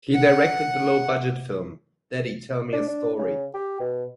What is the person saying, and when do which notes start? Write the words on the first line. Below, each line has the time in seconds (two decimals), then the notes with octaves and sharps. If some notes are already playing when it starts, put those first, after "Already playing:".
He directed the low-budget film "Daddy Tell Me A Story..."
0.14 F#5
2.73 D4
2.88 D4
3.19 C#3
3.54 G4
3.80 B2